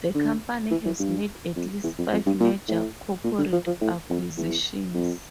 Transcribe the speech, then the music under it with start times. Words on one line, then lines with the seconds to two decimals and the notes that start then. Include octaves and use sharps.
The company has made at least five major corporate acquisitions.
0.15 D3
0.71 E3
0.86 E3
0.99 G2
1.56 F2
1.84 E2
1.98 F2
2.12 F2
2.26 G2
2.40 A#2
2.68 A2
3.24 A#2
3.39 D3
3.53 F3
3.67 F3
3.81 A2
4.10 F2
4.37 E2
4.94 F2